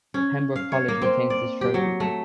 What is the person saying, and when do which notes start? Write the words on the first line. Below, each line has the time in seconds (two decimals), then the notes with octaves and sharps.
Pembroke College retains this trophy.
0.14 C#4
0.56 F5
0.72 C#5
0.88 A#3
1.02 C4
1.30 D5
1.61 G4
1.74 F#3
2.00 A3